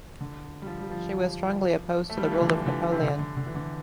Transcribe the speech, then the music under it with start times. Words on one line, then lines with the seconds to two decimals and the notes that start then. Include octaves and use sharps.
She was strongly opposed to the rule of Napoleon.
0.21 D3
0.62 G3
0.67 F3
0.80 G3
0.91 F3
2.10 A3
2.17 G3
2.24 F3
2.32 E3
2.41 D3
2.49 E3
2.62 E3
2.66 D3
2.92 C3
3.02 D3
3.19 D3
3.37 D3
3.46 E3
3.55 D3